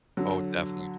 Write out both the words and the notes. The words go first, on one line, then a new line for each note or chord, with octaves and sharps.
Oh, definitely.
D3 F#3